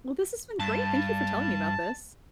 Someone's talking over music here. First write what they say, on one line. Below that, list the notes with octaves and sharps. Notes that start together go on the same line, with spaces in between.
Well, this has been great. Thank you for telling me about this.
G2 A5